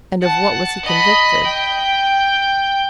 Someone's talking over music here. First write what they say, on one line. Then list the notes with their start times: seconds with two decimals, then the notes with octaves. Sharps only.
"And of what was he convicted?"
0.22 F#5 A5
0.84 D#5 B5
1.45 G5